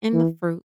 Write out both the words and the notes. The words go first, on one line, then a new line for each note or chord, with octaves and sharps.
in the fruits,
E3